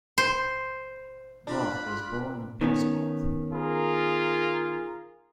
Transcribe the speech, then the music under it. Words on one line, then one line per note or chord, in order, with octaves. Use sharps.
Bruff was born in Portsmouth.
C5
D4 F4 B5 F#6
D#3 B3 C#4
F4 G#4 A#4